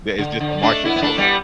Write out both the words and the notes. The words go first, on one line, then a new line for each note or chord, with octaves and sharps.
there is just a market for it.
D3
D3
A3 D4
B3 E4
B3
A3 D4
G3 B3